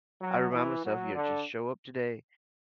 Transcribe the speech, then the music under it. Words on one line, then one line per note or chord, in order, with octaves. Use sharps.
I remind myself, you know, "Just show up today,"
F#3
E3
F#3
D3